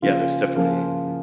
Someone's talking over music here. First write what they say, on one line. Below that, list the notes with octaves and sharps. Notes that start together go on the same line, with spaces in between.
Yeah, there's definitely
C#3 F3 A#3 F4 G#4
C#3 F3 A#3 F4 G#4